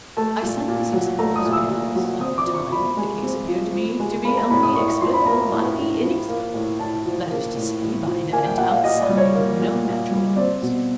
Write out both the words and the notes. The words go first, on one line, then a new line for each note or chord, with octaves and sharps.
I cite these examples because, at the time, the case appeared to me to be only explicable by the inexplicable,--that is to say, by an event outside of known natural laws.
A3 A5
A#2
A#2
F#3
A3 A#5
D#6
A#2
E6
A#2
F#3
C4 D#6
D6
F3
C#6
F3 B5
G#3
C4
F3
F3
G#3
A#3 B5
A#5
A2 B5
D#6
A2 C#6
C#6
F3 C6
B5
A#3 A#5
A2
A2
F3
A#3
A2
A2 A5
F3
A#3
A2
A2
F3
A#3 G#5
G5
A#2 F#5
F5
A#2 D#5
D5
G3
C#5
A#3
A#2
A#2
G3
C4 D5
B2